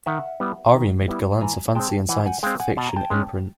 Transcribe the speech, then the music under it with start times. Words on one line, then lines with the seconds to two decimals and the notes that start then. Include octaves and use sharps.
Orion made Gollancz a fantasy and science fiction imprint.
0.06 D#3 E5 F#5
0.40 G3 B3 E4
0.74 D#3
1.08 G3 B3 E4
1.41 E3 G#5 A#5
1.75 G#3 C4 G5 A5
2.09 E3 F#5 G#5
2.26 F#5 G#5
2.43 G#3 C4 F5 G5
2.60 F#5 G#5
2.77 B2 A5
2.87 A#5
2.96 G5 A5
3.10 G#3 C#4